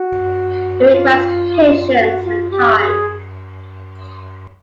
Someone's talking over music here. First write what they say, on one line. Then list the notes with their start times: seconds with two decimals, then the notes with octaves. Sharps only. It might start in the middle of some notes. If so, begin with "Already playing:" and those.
It requires patience and time.
Already playing: F#4
0.91 F4
1.98 F#4
2.24 F4
2.51 G4
2.78 G#4